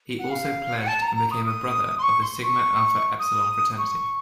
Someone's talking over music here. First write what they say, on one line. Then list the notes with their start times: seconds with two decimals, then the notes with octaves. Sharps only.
He also pledged and became a brother of the Sigma Alpha Epsilon fraternity.
0.18 F#5
0.29 F5
0.78 F#5
0.87 A5
1.01 A#5
1.15 A#5
1.31 D#6
1.45 D#6
1.97 C6
2.02 C#6
2.21 C6
2.42 C#6
3.19 D#6
3.77 C#6